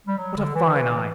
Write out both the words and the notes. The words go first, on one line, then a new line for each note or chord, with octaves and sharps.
What a fine eye!
G3
F#3
D3
E3
E3